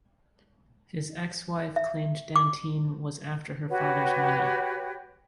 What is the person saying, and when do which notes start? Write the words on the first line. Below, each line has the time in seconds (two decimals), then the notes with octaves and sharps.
His ex-wife claimed Dantine was after her father's money.
1.76 E5
2.36 D6
3.68 F#4 G4 B4 C#5